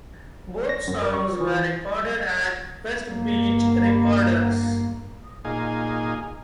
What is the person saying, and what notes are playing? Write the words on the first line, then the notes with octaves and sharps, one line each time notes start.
Both songs were recorded at Westbeach Recorders.
A#6
F#2
A#4
C#6
E3
G1 A#3
A#2 D#4 G#4 F5 G#5